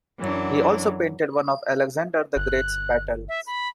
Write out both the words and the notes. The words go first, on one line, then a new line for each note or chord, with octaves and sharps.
He also painted one of Alexander the Great's battles.
F#2 E3 F#3 D4
G1 F#6
E5
B5